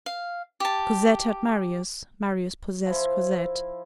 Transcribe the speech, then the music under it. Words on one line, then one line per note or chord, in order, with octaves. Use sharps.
Cosette had Marius, Marius possessed Cosette.
F5
G4 A5
F3 E4